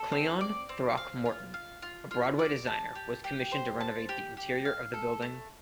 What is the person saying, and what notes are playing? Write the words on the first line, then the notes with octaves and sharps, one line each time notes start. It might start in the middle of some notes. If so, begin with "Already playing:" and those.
Cleon Throckmorten, a Broadway designer, was commissioned to renovate the interior of the building.
Already playing: A4
C4
D5
C4
F5
F4
F5
F4
F4
D5
A5
G4
G4
C5
A5
G4
G4
F5
A4
A3